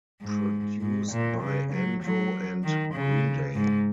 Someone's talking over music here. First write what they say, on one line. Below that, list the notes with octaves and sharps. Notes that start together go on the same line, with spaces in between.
Produced by Andro and Green Day.
G#2
G#2
A#2
C#3
F#3
F#3
D#3
C#3
G#2